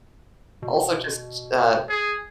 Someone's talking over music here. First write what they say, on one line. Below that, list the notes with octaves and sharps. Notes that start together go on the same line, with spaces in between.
also just, uh
B2
G#4